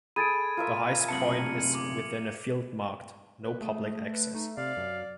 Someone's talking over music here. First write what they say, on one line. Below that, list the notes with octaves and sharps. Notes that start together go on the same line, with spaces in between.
The highest point is within a field marked "No public access".
G#4 A4 B5 G#6 A6 D7 D#7
F4 A#4 E5
F#2 C3 A5 C#7 F#7
D6
B4
A3 G#4
B4
A3 D#4
C3 D5 F5
F#2